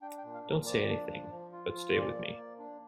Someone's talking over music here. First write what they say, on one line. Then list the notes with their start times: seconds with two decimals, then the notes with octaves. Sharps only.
Don’t say anything; but stay with me.
0.02 D4 G5
0.18 G5
0.24 A#2
0.34 F5
0.45 A#2
0.50 A#4
0.66 F3 D5
0.88 D4
1.10 F3
1.31 F3
1.52 F4
1.73 F3
1.95 A#2 D5
2.17 A#3
2.38 A#3
2.59 D4